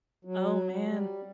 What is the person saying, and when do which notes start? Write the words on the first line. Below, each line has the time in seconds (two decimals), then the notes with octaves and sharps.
Oh, man.
0.25 F#3
0.82 G3